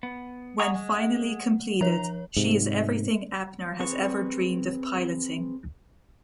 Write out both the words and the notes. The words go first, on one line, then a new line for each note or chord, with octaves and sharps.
When finally completed, she is everything Abner has ever dreamed of piloting.
B3
G#4 F#5 A#5 C#6
G#3
F3 C#5 A#5
G#2 C3
C4 G#4 B4 C#6